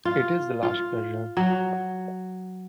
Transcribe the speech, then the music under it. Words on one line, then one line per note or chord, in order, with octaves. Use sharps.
It is the last pleasure.
F4
F4
F#3